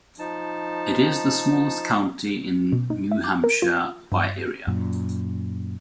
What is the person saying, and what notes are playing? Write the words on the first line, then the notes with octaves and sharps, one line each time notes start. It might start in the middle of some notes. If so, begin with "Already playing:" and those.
It is the smallest county in New Hampshire by area.
F3 D#4 A5
B2
D#4
E5
D6
A#4
F4
G2
F#2 A#2